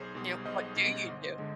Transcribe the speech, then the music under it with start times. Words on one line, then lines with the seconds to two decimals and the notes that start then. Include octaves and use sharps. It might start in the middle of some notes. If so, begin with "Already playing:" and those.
You know, what do you do?
Already playing: B1 G#4 C5
0.15 B2 G3
0.45 B1 C5 D#5
0.76 B2 G3
1.08 G1
1.38 D3 G#3